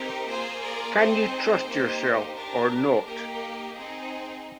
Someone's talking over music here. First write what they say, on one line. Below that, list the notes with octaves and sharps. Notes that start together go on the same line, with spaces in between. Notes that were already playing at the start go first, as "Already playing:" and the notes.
Can you trust yourself or not?
Already playing: C4 D#4 G4 A#4
A#3 F4 G#4 C5
A#4 D5
C4 D#4 G#4 C5
A#3 D#4 G4
D4 G4 A#4
A#3 D#4 G4 A#4
C4 D#4 G#4